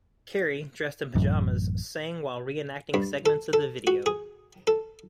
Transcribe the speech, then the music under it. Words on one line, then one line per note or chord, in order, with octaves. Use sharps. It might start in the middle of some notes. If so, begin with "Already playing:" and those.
Carey, dressed in pajamas, sang while re-enacting segments of the video.
A1 F#2
G2
A4
A4
F#4
G#4
A4